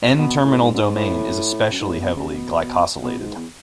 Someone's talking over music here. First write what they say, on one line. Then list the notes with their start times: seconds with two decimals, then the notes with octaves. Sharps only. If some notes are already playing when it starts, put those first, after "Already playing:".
N-terminal domain is especially heavily glycosylated.
0.18 B2
0.44 A2
0.62 G#2
0.74 F#2
0.78 G#2
0.95 A2
1.72 F#2
1.80 G#2
1.90 A2
1.99 B2
2.17 C#3
2.29 C#3
2.34 B2
3.03 B2
3.20 G#2
3.37 E2